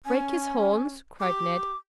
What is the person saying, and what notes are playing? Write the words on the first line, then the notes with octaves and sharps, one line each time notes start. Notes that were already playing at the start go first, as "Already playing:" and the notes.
"Break his horns!" cried Ned.
C#4 G#5
G4 D6